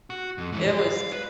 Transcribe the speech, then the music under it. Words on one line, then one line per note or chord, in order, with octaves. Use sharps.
it was
F#4
F2
G#2 E3
G4
F5
B4